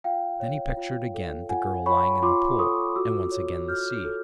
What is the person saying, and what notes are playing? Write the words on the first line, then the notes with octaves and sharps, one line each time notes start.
Then he pictured again the girl lying in the pool, and once again the sea.
F4 F5 G5
C#5
F4
A4
F4 F#5 G#5
C#5 B5 C#6
F4 C6 D6
A4 C#6 D#6
F#4 D6 E6
C#5
F#4 F6 G6
A4